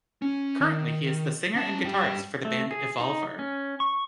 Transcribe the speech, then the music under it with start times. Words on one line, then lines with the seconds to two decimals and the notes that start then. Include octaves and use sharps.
Currently he is the singer and guitarist for the band Evolver.
0.22 C#4
0.60 D#3
1.56 C#4 A5
1.84 G2 G4
2.45 A3
2.71 G#4
3.01 D#4
3.39 C#4
3.80 C#6